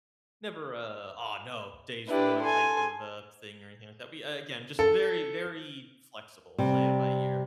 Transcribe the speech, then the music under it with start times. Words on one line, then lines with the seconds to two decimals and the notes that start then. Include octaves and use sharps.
never a, "Aw, no, day's ruined," type of, uh, thing or anything like that, but again, just very, very flexible, play it by ear.
2.08 D4 E4 G4 B4
2.41 A4 G#5 C6
4.79 A4
6.58 C3 G3